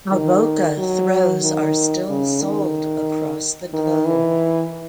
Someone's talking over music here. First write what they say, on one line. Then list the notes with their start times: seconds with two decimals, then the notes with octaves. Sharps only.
Avoca throws are still sold across the globe.
0.12 D#3
0.78 F#3
1.43 D#3
2.09 C#3
2.42 D#3
3.73 D#3
4.06 E3